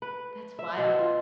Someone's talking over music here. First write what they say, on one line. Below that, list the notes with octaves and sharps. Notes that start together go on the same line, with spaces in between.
That's wild.
B4
E5
B2
F4